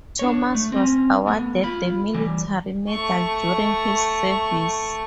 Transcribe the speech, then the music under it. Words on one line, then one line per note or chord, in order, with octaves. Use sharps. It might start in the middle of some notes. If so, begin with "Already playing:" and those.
Thomas was awarded the Military Medal during his service.
D4 C#5
A3
C4 C#4
A3 B3
F4 B5
E3 G3
A3 C#6